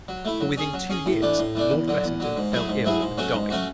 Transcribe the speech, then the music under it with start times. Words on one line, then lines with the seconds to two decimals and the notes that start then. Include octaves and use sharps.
For within two years Lord Blessington fell ill and died.
0.08 F#3
0.25 A3 E4
0.40 F#3
0.58 C#4 G#4
0.74 F#3
0.90 C#4 G#4
1.06 A2
1.22 E3 A3 D4
1.39 A2
1.55 E3 A3 D4
1.71 E2
1.88 D3 F#3
2.04 E2
2.20 D3 F#3
2.36 G#2
2.52 F#3 A3 E4 G#4
2.69 G#2
2.85 F#3 A3 E4 G#4
3.01 G#2
3.18 F#3 A3 C#4 F#4
3.34 G#2
3.50 F#3 A3 C#4 F#4